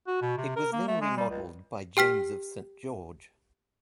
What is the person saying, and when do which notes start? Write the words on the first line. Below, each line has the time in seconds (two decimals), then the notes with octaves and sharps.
It was then remodelled by James of Saint George.
0.07 F#4
0.21 B2
0.37 C3
0.56 A#4
0.72 A#3
0.88 A3
1.01 G#3
1.17 G3
1.30 C#2
1.97 G4 G5 F6 B6